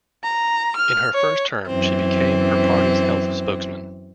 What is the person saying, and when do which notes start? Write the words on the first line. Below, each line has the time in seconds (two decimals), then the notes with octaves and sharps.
In her first term she became her party's health spokesman.
0.24 A#5
0.77 F6
1.14 C#5
1.67 F#2 E3 C4